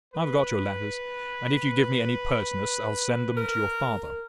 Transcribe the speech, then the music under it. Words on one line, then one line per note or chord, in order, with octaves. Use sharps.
I've got your letters, and if you give me any pertness I'll send them to your father.
B4
A#4